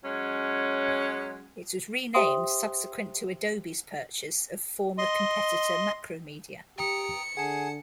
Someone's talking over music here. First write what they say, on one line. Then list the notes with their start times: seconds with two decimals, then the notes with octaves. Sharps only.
It was renamed subsequent to Adobe's purchase of former competitor Macromedia.
0.03 F#3 G#3 C#4
2.14 G4 C5 E5 G5 C6 D#6
4.98 D#5 C6
6.78 G4 G5 A#5 D#6 C#7
7.37 D3 G#4 F#5 A5